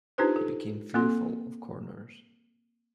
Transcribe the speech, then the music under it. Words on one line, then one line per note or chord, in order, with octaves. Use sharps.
He became fearful of corners.
D4 D#4 F4 G4 B4 C5
A4
A#3 C4 A4 C6